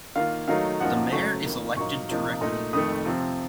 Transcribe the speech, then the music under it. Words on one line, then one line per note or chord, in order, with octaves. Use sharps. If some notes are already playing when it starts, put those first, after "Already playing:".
The mayor is elected directly.
D#3 A#3 F4 F5
D#3 F#3 A3 D#4 F5
F#2 F3 A#3 D#4 F#5
C#3 F#3 A3 C#6
F2 D#3 A#3
A#2 F#3 A#3 D#4 C#6
C3 F3 A#3 D#4
A#2 A3 D#4
F2 D#3 A3 D#6
C3 F3 C4